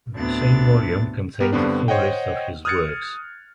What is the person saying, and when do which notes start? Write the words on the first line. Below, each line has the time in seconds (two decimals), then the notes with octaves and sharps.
The same volume contains a full list of his works.
0.14 D2 A2 B3 C4 D4 A6
1.40 B3 G4 A#4
1.53 G2 D3 B3 C4 D4
1.88 C5 C#5 D#5 F#5 G5
2.65 D#6 F6 F#6 G#6 A6 C#7